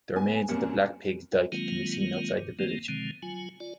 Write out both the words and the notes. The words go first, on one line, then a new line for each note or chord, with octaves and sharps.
The remains of the Black Pig's Dyke can be seen outside the village.
B3 G#5
F#2 G3 A#3 C4 C#4 C#7
D#3 F#3 G#3 A#3 C4 F4
G2
D#3 F3 A3 A#3 C4
B2 D3 D#3 F3 G#3 C4
F#3 F4 G#5
F4 D5